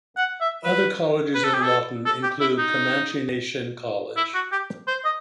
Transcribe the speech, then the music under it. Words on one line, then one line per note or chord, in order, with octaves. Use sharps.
Other colleges in Lawton include Comanche Nation College.
F#5
E5
B4
B4
A4
G4
A4
A4
G4
E4
D#4
E4
F#4
G4
C5
D#5